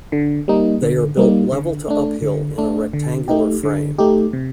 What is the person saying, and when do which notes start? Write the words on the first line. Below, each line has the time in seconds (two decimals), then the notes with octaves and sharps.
They are built level to uphill in a rectangular frame.
0.12 D3
0.48 G3 A#3 D#4
0.83 D3
1.17 G3 A#3 D#4
1.52 D3
1.88 A3 D4
2.22 D3
2.58 A3 D4
2.93 D3
3.28 A3 D#4 G4
3.63 D3
3.98 A3 D#4 G4
4.33 C3